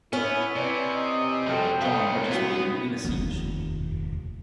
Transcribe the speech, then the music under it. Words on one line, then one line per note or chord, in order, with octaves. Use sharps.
John participated in the siege.
B3 C#4 E4
C3 B4 D5
D#5
F1 G3 F#4 A4 G5
B4 C#5 F5 D#6
C2 F#3 B3
F1 D#2